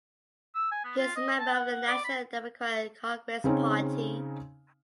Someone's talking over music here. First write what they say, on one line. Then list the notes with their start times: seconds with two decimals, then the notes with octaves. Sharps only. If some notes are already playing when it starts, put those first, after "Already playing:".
He is member of the National Democratic Congress Party.
0.55 E6
0.71 G#5
0.84 B3
0.97 F4
1.16 D#5
1.39 A5
1.54 F#5
1.71 F#5
1.87 D5
2.04 B5
3.44 C#3 C4 C#4 D#4